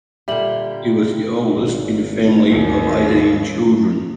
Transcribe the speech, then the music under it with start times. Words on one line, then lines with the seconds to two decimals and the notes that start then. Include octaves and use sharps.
He was the oldest in a family of eighteen children.
0.28 A#2 D3 G3 G4 E5 F#7
1.57 G#1
2.51 D#2